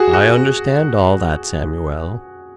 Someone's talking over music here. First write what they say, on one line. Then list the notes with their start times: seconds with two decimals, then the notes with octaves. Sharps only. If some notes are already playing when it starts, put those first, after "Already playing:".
"I understand all that Samuel."
Already playing: F#4 G#4
0.13 F#4